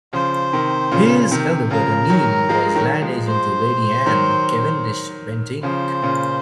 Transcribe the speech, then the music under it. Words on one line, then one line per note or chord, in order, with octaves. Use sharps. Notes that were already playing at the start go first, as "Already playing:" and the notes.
His elder brother Neil was land agent to Lady Anne Cavendish-Bentinck.
C#3 F3 C5
C3 D#3
A#2 C#3
C3 D#3
C#3 F3 A#4
D#3 F#3
F3 G#3
D#3 F#3
F3 G#3
C5
D#3 F#3
C#3 F3 C5
A#2 C#3